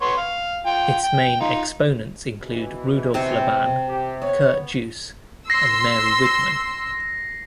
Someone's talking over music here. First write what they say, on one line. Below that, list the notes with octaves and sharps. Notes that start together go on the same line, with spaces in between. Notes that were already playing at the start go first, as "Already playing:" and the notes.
Its main exponents include Rudolf Laban, Kurt Jooss, and Mary Wigman.
B3 C#5 C6
F5
F4 G5
G5
D#4 F4
B2 E3
C3 C4 C#5
G4
B3 C#5
C6 E6 A#6 C7